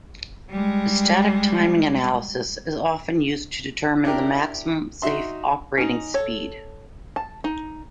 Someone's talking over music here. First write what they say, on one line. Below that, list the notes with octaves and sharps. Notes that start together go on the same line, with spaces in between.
Static timing analysis is often used to determine the maximum safe operating speed.
G3 G#3
D4 E4 G4 A#4
D#4 F#4 E5 C6
C#4 D#4
A4 C#5
A5
D#4